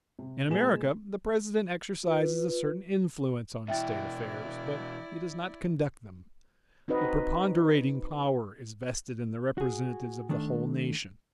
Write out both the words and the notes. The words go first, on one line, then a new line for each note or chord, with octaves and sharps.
In America the President exercises a certain influence on State affairs, but he does not conduct them; the preponderating power is vested in the representatives of the whole nation.
C3
A#2 G#3 B4 G#5 E7
F4 B4
B2 E3 E4 D5 E5 G5 A6
C4 D#4 F#4 B4 D#5
F#4 G#4
D#3 A3 D4